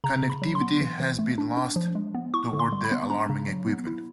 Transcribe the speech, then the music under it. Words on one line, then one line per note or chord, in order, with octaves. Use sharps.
Connectivity has been lost toward the alarming equipment.
C#3 A#5
C#3
B5
F#3
C6
B3
E3
E3
A3
D4
D4
F3
G#3
B3
E4 C#6
D3
C6
G3
B5
B3
D4 A#5
C#3
F#3
B3
E4